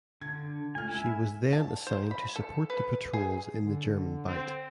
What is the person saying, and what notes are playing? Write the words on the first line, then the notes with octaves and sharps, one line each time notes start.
She was then assigned to support the patrols in the German Bight.
D3 G#6
C#2 A3 G#5 F6
E4 E5 G#5
A5
C5
B5
A4
B4
G#4
D3
C4